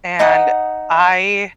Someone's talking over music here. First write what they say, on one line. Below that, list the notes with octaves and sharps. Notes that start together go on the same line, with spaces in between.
and I
D#4 F#5 D#6